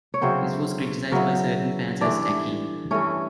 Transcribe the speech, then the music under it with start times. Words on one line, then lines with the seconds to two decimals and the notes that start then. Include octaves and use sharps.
This was criticised by certain fans as 'tacky'.
0.14 C#5
0.21 C#3 F#3 B3 C4 E4 C5
1.11 C#3 F#3 B3 E4
2.01 G2 E3 A3 D4 D5
2.91 G2 E3 A3 C#4 C#5